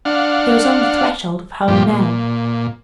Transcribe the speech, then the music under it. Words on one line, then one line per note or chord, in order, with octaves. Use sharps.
He was on the threshold of home now.
D4 F5 F#5
G2 A#2 F3 G4
A#2